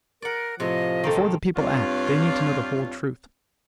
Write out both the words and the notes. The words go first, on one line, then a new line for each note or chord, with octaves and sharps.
Before the people act, they need to know the whole truth.
A#4 D5 F#5
A2 C3 F3 D#5
D#3 A#3 C4 A4
G2 C4 F4 C#5